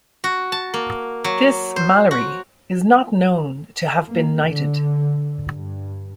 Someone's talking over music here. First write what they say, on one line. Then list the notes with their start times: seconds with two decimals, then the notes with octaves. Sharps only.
This Malory is not known to have been knighted.
0.24 F#4
0.52 A5
0.74 A#3
1.24 F#3
1.76 C5
2.11 F#4
4.06 A#3
4.45 D3
5.49 G2